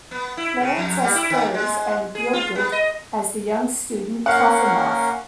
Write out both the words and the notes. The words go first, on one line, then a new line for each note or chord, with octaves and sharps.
Clarence as Firs and Gielgud as the young student Trofimov.
B3
E4
C#3
F2
G3
E4
D#3
G#3
G#4
F4
B3
D#5
A#3 C#4 A#4 F5 F#5